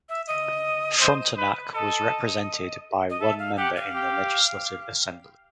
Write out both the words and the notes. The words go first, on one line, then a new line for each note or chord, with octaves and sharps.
Frontenac was represented by one member in the Legislative Assembly.
E5
D#5
C5
B4
A4 D#5
D#5
A4 E5
F5
G4 F#5
F5
G4